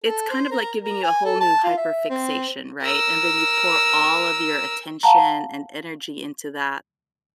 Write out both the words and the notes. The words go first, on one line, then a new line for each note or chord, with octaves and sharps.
it's kind of like giving you a whole new hyperfixation, right, and then you pour all of your attention and energy into that,
A4
C5
A#4
A#4
G#5
A4
A5
F4
E5
C4
A#4 E6
F5 F#5 A5 A#5